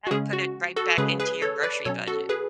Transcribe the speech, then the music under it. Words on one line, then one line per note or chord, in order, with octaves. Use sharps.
Right put it right back into your grocery budget.
F#4
C#3 G#3 C#4 G#4
F#4
F#4 A4
C#3 G#3 C#4 G#4 B4
G#4 B4
A4 C#5
B4 D5
B2 F#3 C#4 A4 C#5
F#4 A4
G#4 B4